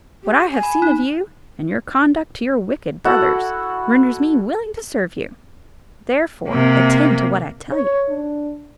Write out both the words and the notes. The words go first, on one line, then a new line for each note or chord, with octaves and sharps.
What I have seen of you, and your conduct to your wicked brothers, renders me willing to serve you; therefore, attend to what I tell you.
G4
G#5
B5
D#4
E4 F#4 A4 F#5
C3 A#3
C#5
D4